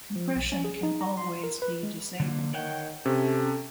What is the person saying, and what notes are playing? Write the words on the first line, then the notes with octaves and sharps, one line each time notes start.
Compression can always be disabled.
F3
B1
C#4
G#4
D#4
A#5
C6
A#4
B4
G#3
D3 G#3 A#3
D#3 C#5 F#5 G5
C3 C#4 A4